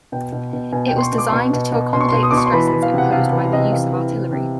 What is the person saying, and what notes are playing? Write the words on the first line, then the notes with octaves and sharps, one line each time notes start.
It was designed to accommodate the stresses imposed by the use of artillery.
B2 G5
B2
B2
B2 G#5
B2 G5
C6
C#6
B2
D6
C6
B2 C#6
B2
B2
B2 C6
C#6
B2 C6
D#6
B2 D6
C#6
C6
E3 B5
B5
E3
F5
C3 F#5
C3 F5
E3
C3 D#5
E3 F5
E3
C3
C3